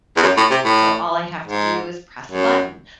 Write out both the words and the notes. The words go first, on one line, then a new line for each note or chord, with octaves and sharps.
so all I have to do is press a button,
E2
F#2
A2
C3
A2
G#2
F#2